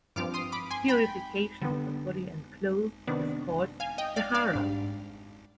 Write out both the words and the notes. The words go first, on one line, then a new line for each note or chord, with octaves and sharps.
Purification of the body and clothes is called "taharah".
G2 F3 C4 D6 F6
C6 D#6
B5 D6
G#5 C6
G5 B5
D3 G3 B3
C3 D#3 B3 D4
F5 G#5
D#5 G5
D5 F5
D5 F5
G#2 G3 D4